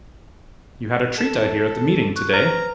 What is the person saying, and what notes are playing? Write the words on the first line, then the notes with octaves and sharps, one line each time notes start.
"You had a treat, I hear, at the meeting to-day?"
A4 E7
C#6 F#6
B4 C5 A#5 F6